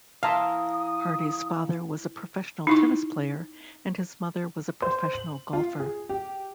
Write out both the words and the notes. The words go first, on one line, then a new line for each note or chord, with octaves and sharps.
Hardy's father was a professional tennis player, and his mother was a professional golfer.
E3 E5 F5 A5 A#5 C6 D#6
D#4 E4 C#6
C5
F#7
F4
G#4
G4